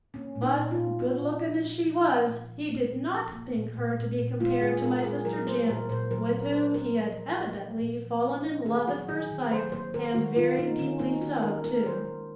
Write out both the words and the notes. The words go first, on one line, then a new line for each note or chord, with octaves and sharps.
But, good-looking as she was, he did not think her to be compared to my sister Janet, with whom he had evidently fallen in love at first sight and very deeply so, too!
A#3 C#4
A#2
D#4
A#2
F4
A#2
A#2 F#4
A#2
F3
A#2
F3
F3
A#2
F3
A#2
A#2
F3
A#3
A#2
A#2
A#2
A#2
G#3 F4
G#3 G#4
A#2 A#4
G#3 G#4
F#3 A#4
A#3 C5
A#2 A#4
A#2 C5
F#3 A#4
A#2 A#4
A#2 C5
A#3 A#4
F3
F3
A#3
F3
A#2
F3
A#3
F3
D#3 G#4
F#3 F#4
D#3 G#4
D#3
F#3 C5
A#3 C5
D#3 A#4
D#3 F#4
D#3 F4
A#3 D#4
D#3 C#4
A#3 D#4
D#3 F#4
D#3 A#4
D#3 A#4
D#3 C5
G#3